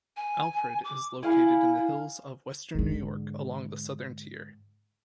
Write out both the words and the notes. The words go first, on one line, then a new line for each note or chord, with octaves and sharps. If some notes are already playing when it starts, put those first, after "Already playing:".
Alfred is located in the hills of western New York along the Southern Tier.
G#5
D6
E4 F5 G#5
G#2 D3